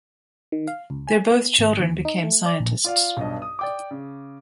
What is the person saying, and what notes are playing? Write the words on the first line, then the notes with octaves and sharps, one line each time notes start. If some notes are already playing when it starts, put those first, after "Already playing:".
Their both children became scientists.
D#3
F5
C#2
G#5
B3
G#1
D#2
D#4
A3
D5
A#1
F4 D5 F5
B1 G2 D#5
D#6
D5 G5 D6
C#3